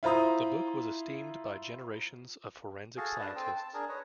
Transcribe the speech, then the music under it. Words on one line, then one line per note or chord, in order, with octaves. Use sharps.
The book was esteemed by generations of forensic scientists.
E4 F4 C5 A#5 D#6
F#4 G#4 A4 F5
D4 B4 D#5 A5
C4 A4 C5 G5
A5
D4 G#4 A#4
B4 C#5 D#5